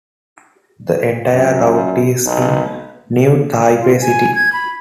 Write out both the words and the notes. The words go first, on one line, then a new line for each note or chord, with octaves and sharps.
The entire route is in New Taipei City.
F#2
B1
F4
G#5
G#6
B5